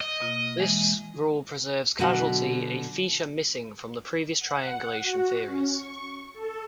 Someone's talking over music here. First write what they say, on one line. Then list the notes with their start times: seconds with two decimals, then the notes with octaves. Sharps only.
This rule preserves causality, a feature missing from previous "triangulation" theories.
0.01 D#5
0.20 B2 A#3 F4
0.57 E3 G#3
1.99 B2 D3 F#3 F#4 D#5 F#5
4.39 F#5
5.01 F#4
5.43 C#4
5.72 C#6
6.33 A4